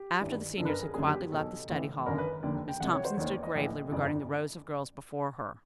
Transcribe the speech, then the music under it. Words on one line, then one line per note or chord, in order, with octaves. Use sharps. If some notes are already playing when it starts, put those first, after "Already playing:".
After the seniors had quietly left the study hall, Miss Thompson stood gravely regarding the rows of girls before her.
Already playing: G4
G#1 G2 E3
G1 F#2 D3 A4
B4
A#4
G#4
F#1 F#2 D3 G#4
G4
B1 B2 A4
A1 A2 E3
G#1 F#2 D3 A#4
B4
F1 D#2 D3 D5
G5
E1 D2 C3 F#5
C#5
C5
E1 D#2 D#3 C#5
D5
D#5
A#1 A2 E3
G1 F2 C#3 E3 D5